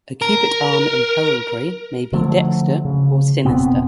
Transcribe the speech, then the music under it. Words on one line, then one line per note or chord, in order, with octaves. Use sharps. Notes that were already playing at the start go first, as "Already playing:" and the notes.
A cubit arm in heraldry may be "dexter" or "sinister".
A#4
D3 F3 F#3 A3
C#3
F1 B2 B3 C4